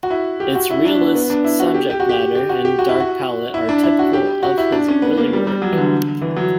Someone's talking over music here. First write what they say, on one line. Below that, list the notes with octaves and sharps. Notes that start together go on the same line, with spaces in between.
Its realist subject matter and dark palette are typical of his early work.
F#4
E4
G4
F#4
E4
D4
B3
B3
D4
E4
F#4
G4
G4
F#4
G4
G4
F#4
G4
F#4
E4
F#4
E4
D4
E4
F#4
G4
F#4
E4
D4
C#4
B3
A#3
G3
G3
F#3
E3
D3
E3
F#3